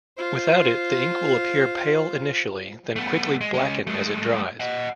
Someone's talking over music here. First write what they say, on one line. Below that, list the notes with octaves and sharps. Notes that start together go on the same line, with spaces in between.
Without it, the ink will appear pale initially then quickly blacken as it dries.
F4 C5
A3 B3
G#3
G#3 C#4
G#3 A3
D#5 F#5